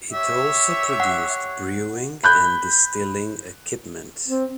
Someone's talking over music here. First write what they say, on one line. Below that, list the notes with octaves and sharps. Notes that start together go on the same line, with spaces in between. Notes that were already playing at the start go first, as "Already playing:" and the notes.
It also produced brewing and distilling equipment.
G4 C#5 E5
F#5
B5 F#6 G6
C4